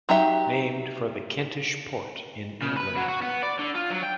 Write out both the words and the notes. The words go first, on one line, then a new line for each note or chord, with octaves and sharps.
Named for the Kentish port in England.
F#3 D#4 G4 E5
C#3
B4
F#3
F#4
B3
D5
D3
F4
F#3
G5